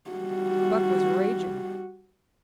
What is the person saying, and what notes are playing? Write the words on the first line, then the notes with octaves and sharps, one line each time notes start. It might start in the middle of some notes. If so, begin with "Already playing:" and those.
Buck was raging.
G3 F#4